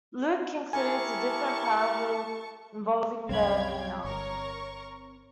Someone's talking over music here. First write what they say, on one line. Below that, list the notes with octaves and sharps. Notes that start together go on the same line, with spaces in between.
Luke includes a different parable involving the mina.
E4 G4 A#4 G#5 A5 C#6
C2 F#2 C4 C#5 F5 G5 B5 G#6
G1 A#4 C#6